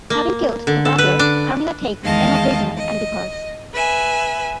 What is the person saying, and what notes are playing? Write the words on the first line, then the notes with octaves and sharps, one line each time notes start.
Having killed the butler, Carmilla takes Emma prisoner and departs.
A#3
D3
A4
B4
D4
E2 D#3 G#3 D#5 F5 A5
D#5
B4 E5 G#5